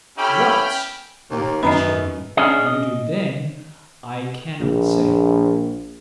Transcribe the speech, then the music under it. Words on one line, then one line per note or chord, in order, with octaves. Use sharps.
What--officially--you do then, I cannot say....
C#4 E4 G4 A4 G5 B5 F6
D#2
F#2 D#3 B3 D#5 A#5 B5
C#4 D4 G#4 D#5
D#5
A#1